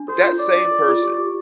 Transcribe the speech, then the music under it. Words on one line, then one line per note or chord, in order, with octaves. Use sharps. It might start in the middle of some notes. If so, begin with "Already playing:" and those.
that same person
Already playing: D4
A4 C5
F4
C#5 D5
D4
A4
F4
G4
G4